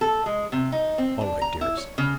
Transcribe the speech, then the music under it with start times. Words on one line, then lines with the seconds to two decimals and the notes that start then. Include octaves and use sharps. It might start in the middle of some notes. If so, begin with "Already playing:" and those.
All right, dearest.
0.01 A4
0.26 G#3
0.52 C3
0.72 D#4
0.98 C4
1.21 D4
1.42 A#5
1.61 E4
1.77 C#5
1.98 C#3